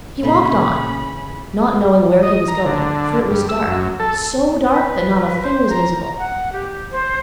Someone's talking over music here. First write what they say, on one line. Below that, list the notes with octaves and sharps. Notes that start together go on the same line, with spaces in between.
He walked on, not knowing where he was going, for it was dark, so dark that not a thing was visible.
A#2 C#3 E3 A3 C#4 B5
D#5
A#5
D3
G2
E6
F#2
A4
B4
C5
A#5
F#5
G4
C5